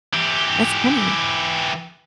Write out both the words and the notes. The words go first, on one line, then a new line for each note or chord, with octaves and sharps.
That's funny.
E3 G4